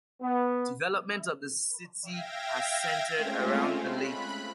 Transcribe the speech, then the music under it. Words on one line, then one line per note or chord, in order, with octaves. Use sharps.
Development of the city has centered around the lake.
B3
E5 F5 G5 G#6 A#6
G#3 A3 C4 C#4 F4
B5 F#6